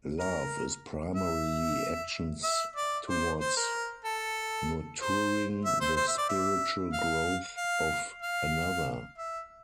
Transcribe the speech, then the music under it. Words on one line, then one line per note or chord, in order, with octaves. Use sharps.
Love is primarily actions towards nurturing the spiritual growth of another.
A#4
E5
E5
D5
C5
C5
A#4
A4
C5
E5
C5
C5
E5
D5
E5
F5
F5
F5
E5